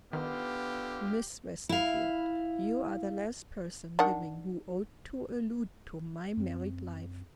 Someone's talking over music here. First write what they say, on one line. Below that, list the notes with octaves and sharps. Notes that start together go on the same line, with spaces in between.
"Miss Westerfield, you are the last person living who ought to allude to my married life."
D3 D#3 B3 F4 G4 F6
E4 F5
D#3 D4 F#5
F#2 C4